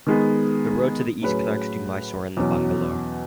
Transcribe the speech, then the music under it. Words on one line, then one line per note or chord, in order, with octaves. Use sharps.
The road to the east connects to Mysore and Bangalore.
D#3 G#3 B3
A2 F#3 C#4 G#4 B4
E2 B2 F#3 C#4